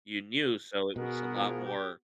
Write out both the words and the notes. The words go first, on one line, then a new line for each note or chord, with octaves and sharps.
you knew, so it was a lot more
B2 B3 F#4 G#4 A#4
F3
G4